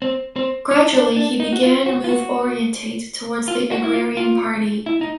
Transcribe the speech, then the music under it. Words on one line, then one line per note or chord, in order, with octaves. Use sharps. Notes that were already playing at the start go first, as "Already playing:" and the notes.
Gradually he began move orientate towards the agrarian party.
C4
C4
C#4
D4
D4
D#4
F#4
F4
F#4
F4
F#4
F4
F#4
E4
F4
F4
E4
D#4